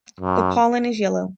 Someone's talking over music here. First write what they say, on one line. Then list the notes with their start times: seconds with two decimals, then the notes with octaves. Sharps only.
The pollen is yellow.
0.20 F#2